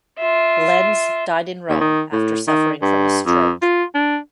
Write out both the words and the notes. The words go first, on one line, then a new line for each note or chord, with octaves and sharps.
Lenz died in Rome, after suffering from a stroke.
F4 E5
D#2
D#3
A2
D#3
G2
F2
F4
D4